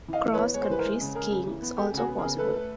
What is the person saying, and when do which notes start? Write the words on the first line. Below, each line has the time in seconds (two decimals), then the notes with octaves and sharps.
Cross country skiing is also possible.
0.08 E3 D#5 F5
0.24 E3
0.34 B4 C#5
0.39 B3
0.54 G#3 C#5
0.63 C5
0.70 E3 B4
0.79 A#4 C5
0.85 G#3
1.01 C#3
1.15 G#3 G#4 A#4
1.31 C#3
1.46 E3
1.62 B3
1.77 G#3 G4 A4
1.92 C#3
1.97 F#4 G#4
2.08 B3
2.18 G#4 A#4
2.23 C#3
2.38 A3 A4 B4
2.54 A3